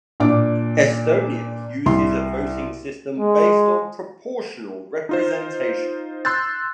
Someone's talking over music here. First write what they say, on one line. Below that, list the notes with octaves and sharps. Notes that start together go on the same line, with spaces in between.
Estonia uses a voting system based on proportional representation.
A#2 D4 D6
C2 C6
G#3
D#4 F4 C5
C6 E6 F#6 G6 A6